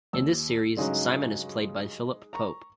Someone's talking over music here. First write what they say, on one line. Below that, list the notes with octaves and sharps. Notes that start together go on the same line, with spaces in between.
In this series Simon is played by Philip Pope.
D#2 E6
G2 C#3 F#3 G#3 D#4
A#5 C#6